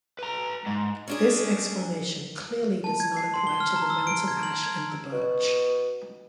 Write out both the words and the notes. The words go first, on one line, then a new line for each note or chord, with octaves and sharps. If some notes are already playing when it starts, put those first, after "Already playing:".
This explanation clearly does not apply to the mountain ash and the birch.
B4 A#5
G#2
C#4 D4 G#4
A5
G#6
C7
C6
G7
F6
A#5
E6
D7
G#6
F#7
G#6
B2